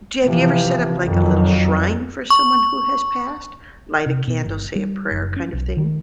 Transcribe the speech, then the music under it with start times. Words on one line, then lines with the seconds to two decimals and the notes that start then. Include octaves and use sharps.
Do you have you ever set up like a little shrine for someone who has passed, light a candle, say a prayer kind of thing?
0.24 C3 E3 F3
1.05 F2 D#3 F#3
2.30 C#6
4.06 C3
4.28 B2
4.46 G1
4.76 G3
5.11 F#1
5.36 C#4
5.53 B1
5.77 D#3